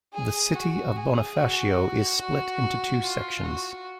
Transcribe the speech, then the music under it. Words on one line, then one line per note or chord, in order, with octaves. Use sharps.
The city of Bonifacio is split into two sections.
G#4
F#4
G#4
F#4
F#4
F4
F#4